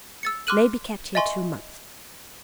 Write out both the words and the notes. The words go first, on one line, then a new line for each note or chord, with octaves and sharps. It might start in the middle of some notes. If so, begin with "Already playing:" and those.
May be kept here two months.
E6 A6 C#7
C6 D6 F6 F#6 D#7 F#7
D#5 E5 G#5 C6 C#6